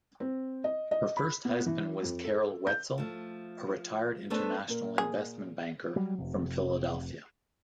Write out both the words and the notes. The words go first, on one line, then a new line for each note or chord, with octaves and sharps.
Her first husband was Carroll Wetzel, a retired international investment banker from Philadelphia.
C4
D#5
D#5
B5
B3
E3
F2
A4
G6
F3 A3
A3 B3 D4 A4 B4 C5
A#2 A#4
G#4
F#3 G3
F1 C3